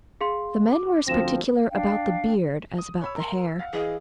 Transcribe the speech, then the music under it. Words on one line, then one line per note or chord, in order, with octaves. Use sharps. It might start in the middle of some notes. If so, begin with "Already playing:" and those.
The men were as particular about the beard as about the hair.
G#4 F5 C6
D6
D2 F3 C4 A#6 E7
D4 F5 G5
D#6
C#5 B5 E6
A#4 A#5 C6
F5 F#5
E3 G#4 D#5 F5